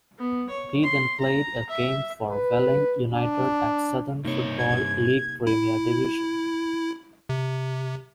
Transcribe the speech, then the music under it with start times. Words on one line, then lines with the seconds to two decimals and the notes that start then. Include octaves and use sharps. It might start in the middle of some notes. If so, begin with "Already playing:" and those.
He then played a game for Welling United at Southern Football League Premier Division.
0.19 B3
0.49 C#5
0.83 C6
1.20 A#5
1.69 E5
2.30 B4
3.13 D4
4.25 G2 C3 A#3 D#4 C#5
4.58 G#6
5.47 E4
7.29 C3